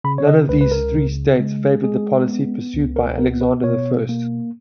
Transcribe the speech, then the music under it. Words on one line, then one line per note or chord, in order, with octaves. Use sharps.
None of these three states favored the policy pursued by Alexander the First.
C#3 B5
C#5
D#5
C#2 B4
B4
A#4
C#3
G#3
G#3 G#4
B3
C#2
A#4
B3 A#4
B4
B2 C#5
A#3